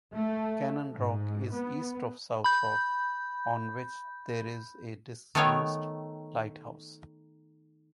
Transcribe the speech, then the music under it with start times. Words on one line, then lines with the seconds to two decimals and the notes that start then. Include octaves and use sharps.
Cannon Rock is east of South Rock, on which there is a disused lighthouse.
0.15 A3
0.93 G#2
1.53 B3
2.44 B5 G6
5.35 D#3 A3 B3 C#5 F5 G5